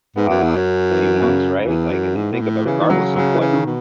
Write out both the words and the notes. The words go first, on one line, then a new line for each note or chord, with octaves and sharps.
uh, few months, right? Like, and you think of regardless of what
G#2 B3
F#2
E2
F#2 C#4
E3
B2
C#3
E2 E3
F#2
G#2
B2
A2
C#3 E3
D#3 E3
C#3 F#3
C#3 F#3
E3
C#3
D#3
B2